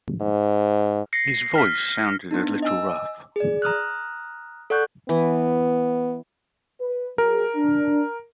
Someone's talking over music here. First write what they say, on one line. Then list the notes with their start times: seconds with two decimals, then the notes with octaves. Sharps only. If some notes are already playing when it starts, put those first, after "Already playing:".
His voice sounded a little rough.
0.21 G#2
1.13 A#6 C7 C#7
1.55 F6 B6
2.31 B3 D4 D#4
2.62 D#5 G#5 E6
3.36 G#4 D5
3.62 A#5 D#6 F6 F#6
4.70 A4 D5 F#5 C#6 F#6 G6
5.09 E3 B3
6.79 B4
7.18 F#3 G#4 A#4
7.55 D4